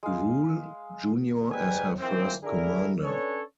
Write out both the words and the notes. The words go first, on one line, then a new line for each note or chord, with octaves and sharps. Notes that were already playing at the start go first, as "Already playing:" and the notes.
Rule, Junior as her first commander.
G#3 F5
G#2 G3 B4 G5 G#5
E3 F3 A#3 C4
D3 D4 E4 G#4 A#4
C#4 D4 A4 B4 C#5